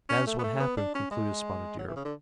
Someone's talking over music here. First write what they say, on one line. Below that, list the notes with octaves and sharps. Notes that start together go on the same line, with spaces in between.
"That is what happened," concluded Spotted Deer.
C#4
A3
B3
A3
B3
D4
C#4
G#3
F#3
E3
C#3
D3